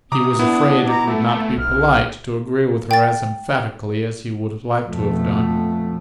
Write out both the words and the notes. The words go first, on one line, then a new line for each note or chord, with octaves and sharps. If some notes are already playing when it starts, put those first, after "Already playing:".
He was afraid it would not be polite to agree with her as emphatically as he would like to have done.
C3 A#5 D6 D#6
B3 D4 E4
D#5 A#5 D6
A3 A4
B1 F6
G5 A6
F2 B2 F3 A3